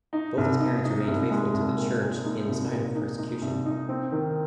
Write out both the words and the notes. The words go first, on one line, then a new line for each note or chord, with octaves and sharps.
Both his parents remained faithful to the Church in spite of persecution.
D#4
C2
D#4
D#4
C2
G#3
C2
A#2
A#2
D#4
C2
A#2
D#4
D#4
C2
D#4
C4
D#3